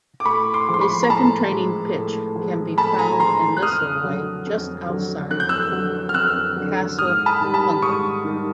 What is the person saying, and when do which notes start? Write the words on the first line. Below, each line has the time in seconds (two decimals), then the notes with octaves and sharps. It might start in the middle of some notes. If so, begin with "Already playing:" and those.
A second training pitch can be found in Lisalway just outside Castleplunket.
0.20 D6
0.25 A2 B5 C#6
0.54 C6 D6
0.68 F3 G#3
0.74 C6
0.81 B5 C#6
1.03 A#5
1.10 A2 A5 B5
1.52 F3 G#3
1.94 A2
2.36 F3 G#3
2.78 A2 A5 B5
2.92 B5
2.98 G#5 A#5
3.20 F3 G#3 A#5 C6
3.57 F#6
3.62 F2 D#6 F6
4.04 D3 F#3
4.47 F2
4.88 D3 F#3
5.30 F2 F#6
5.40 G6
5.49 E6 F#6
5.72 D3 F#3
6.09 F6
6.14 F2 E6 F#6
6.56 D3 F#3
6.98 G#2 D#6 F6
7.26 A5 B5
7.41 D#3 G3
7.54 A5 B5
7.82 G#2 C#6 D#6
8.24 D#3 G3